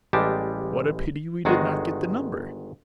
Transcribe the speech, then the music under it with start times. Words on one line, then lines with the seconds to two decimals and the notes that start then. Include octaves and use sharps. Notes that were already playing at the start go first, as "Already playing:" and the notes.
"What a pity we did not get the number!"
0.13 A1 G3 G#3 G4 A5
1.45 G1 D#3 G#3 F#4 G#4